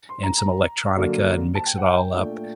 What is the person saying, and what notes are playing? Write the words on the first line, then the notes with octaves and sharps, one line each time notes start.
and some electronica and mix it all up.
C6
A#5
A#5
F#2 D3 F#3 A#3
A5
G5
F#5
G5
A#2 A3 D4